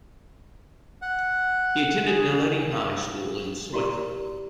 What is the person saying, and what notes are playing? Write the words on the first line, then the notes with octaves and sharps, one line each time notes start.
He attended Naledi High School in Soweto.
F#5
G#4
F5
E4 F#4 G4 D5 A5 A#5